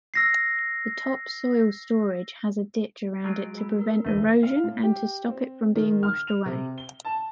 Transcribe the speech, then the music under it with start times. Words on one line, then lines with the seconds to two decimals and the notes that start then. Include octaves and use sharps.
The top soil storage has a ditch around it to prevent erosion and to stop it from being washed away.
0.14 E6 A#6 C7
3.24 F#3 G#3 F4 F#4 G#4 D7
3.57 B5 E6
3.79 A#4 B4
4.05 E1 D2 E3 A3 B4 D#5 E5
4.43 F5
4.64 A2
4.83 G4
5.28 C4
5.75 D#3
6.03 F6
6.27 F7
6.46 C3
6.78 G7
7.05 A5